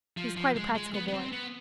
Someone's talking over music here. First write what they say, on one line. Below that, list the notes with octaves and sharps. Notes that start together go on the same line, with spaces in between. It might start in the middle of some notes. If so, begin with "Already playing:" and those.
He was quite a practical boy.
F3
F3
G#3
G#3
B3
B3
C4
B3